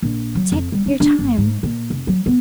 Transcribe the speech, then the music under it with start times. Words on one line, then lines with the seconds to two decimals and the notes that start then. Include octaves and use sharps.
Take your time.
0.02 A#1
0.35 F#3
0.52 F2
0.72 G3
0.86 D4
1.00 D4
1.19 G1
1.38 G#2
1.63 A#2
1.90 F1
2.07 F#3
2.26 B3